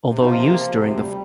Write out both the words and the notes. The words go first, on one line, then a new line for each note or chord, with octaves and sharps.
Although used during the First World War, they were sold when the war ended.
C3
D#4
C3 F3 F4
A#3
F3
C3
D2
G3